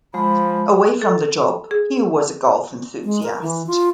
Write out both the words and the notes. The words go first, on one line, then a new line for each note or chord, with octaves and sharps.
Away from the job, he was a golf enthusiast.
F3 G#3 B5
A4
G#4
G#3
A#4
E3
F4